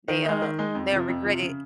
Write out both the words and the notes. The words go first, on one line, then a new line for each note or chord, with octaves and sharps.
they'll they'll regret it
D#3
G#3 D#4
D#3
G#3 D#4
F2
C3 F3
F2
C3 F3
C#3